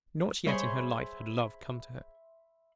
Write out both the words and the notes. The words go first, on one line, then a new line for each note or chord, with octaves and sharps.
Not yet in her life had love come to her.
G3 G#4 C5 C#5 E5 B5 C6